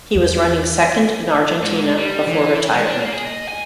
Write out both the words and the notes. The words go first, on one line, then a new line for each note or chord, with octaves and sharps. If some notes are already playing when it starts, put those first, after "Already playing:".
He was running second in Argentina before retirement.
E2
G#2
G3
E3
G#3
D4
A#3
G#4
D#5
G#5